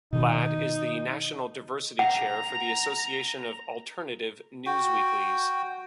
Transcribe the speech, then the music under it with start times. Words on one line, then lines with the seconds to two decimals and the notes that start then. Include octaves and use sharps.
Ladd is the national Diversity Chair for the Association of Alternative Newsweeklies.
0.13 B2 D#3 D#4
1.99 F#5 A#5
4.66 F#4 G5